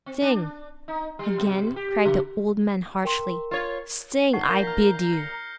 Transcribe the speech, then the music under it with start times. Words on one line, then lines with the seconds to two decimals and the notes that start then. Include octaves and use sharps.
"Sing," again cried the old man, harshly; "sing, I bid you."
0.06 C4
0.22 D4
0.88 D#4
1.19 G3
1.38 B2
1.76 G4
2.05 C#3
3.05 A#4 G5 C6
3.51 F4 C#5
4.33 D#4 F#5 C#6 C7
4.48 A#2 G6 A#6 G7
4.63 A#5 F6 B6
5.13 G6 C#7